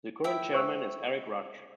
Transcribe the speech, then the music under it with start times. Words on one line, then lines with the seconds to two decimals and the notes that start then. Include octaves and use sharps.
The current chairman is Eric Ruch.
0.24 E4 E5 G5
0.53 C5 C#6 E6